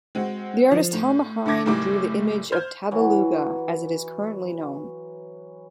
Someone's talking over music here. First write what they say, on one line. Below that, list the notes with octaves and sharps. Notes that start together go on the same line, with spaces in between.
The artist Helme Heine drew the image of Tabaluga as it is currently known.
G#3 C4 F#4
F3
A2
D3 A3 A5 D6 G#6 A#6
F#1 A2 D#3 G3 E4 D6
C5 F6 G6 G#6
E3 F#3